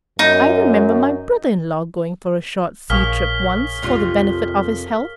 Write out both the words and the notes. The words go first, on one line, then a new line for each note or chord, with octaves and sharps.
I remember my brother-in-law going for a short sea trip once, for the benefit of his health.
F#2 D#4
A#1 A#3 G#4 C#5 F6 B6 G7
F2 C3 F4